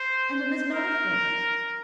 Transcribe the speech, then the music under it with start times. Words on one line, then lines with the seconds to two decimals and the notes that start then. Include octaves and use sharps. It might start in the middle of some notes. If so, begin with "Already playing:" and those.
And then there's another thing.
Already playing: C5
0.73 A#4